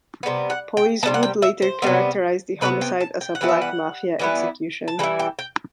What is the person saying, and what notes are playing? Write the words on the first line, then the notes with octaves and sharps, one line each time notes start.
Police would later characterize the homicide as a Black Mafia execution.
C3 G3 B3
F#5
G5
B3 A5
C3 G3
F#5
G5
E5
C5
C3 G3 B3
C3 G3 B3 B4
G5
A5
G5
F#5
E3 G3 B3 E4
E5
F#5
E3 G3 B3 E4
A5
E3 G3 E4 G5
G5
G5